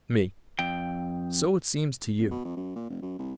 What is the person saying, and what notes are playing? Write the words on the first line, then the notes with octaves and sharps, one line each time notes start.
ME: So it seems to you.
F2 G5
F1
B2
F2
F#2
A#2
F1
F#2
C2